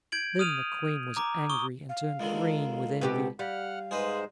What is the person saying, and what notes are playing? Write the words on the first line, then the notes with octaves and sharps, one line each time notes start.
Then the Queen was angry, and turned green with envy.
G6 G#6 D7 F#7
D#6 F6 D#7 F7
A#5 D6
C#6 D#6 G7
F5
C#2 D3 D#3
B2 C4 G4
G3 F5 F#5 F6
G#2 G#3 G#4 B4 C5